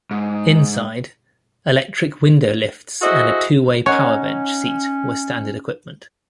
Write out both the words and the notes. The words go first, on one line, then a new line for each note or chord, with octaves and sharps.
Inside, electric window lifts and a two-way power bench seat were standard equipment.
G#2
E4 F#4 G#4 A4 C5 D#5
C#4 D#4 C#5 F#5 G#5